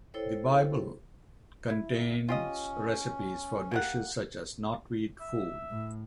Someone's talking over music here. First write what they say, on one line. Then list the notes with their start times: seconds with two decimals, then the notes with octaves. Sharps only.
The "Bible" contains recipes for dishes such as knotweed fool.
0.14 E4 A4 C5 C#5 G5
1.70 E4
2.29 C#4 F4 G4 D#5
3.71 A#3 G4 F#5
5.21 E5
5.70 A2